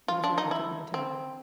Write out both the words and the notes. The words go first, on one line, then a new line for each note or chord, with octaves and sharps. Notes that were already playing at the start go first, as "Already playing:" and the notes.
it was right on the tip of my tongue.
F4
D4
D#4
E4
C4